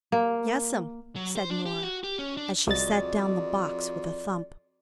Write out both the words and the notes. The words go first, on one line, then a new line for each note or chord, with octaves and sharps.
"Yes'm," said Norah, as she set down the box with a thump.
A#3
F#3
C5
D4
G4
F#4
G4
C#4
D4
C2 F2 F#4 G#4 D5 D#5 A6